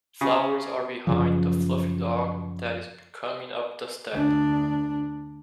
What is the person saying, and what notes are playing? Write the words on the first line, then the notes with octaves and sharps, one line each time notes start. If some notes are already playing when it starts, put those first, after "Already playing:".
Flowers are behind the fluffy dog that is coming up the step.
C#3
F#2 C#3 F3
D2 D4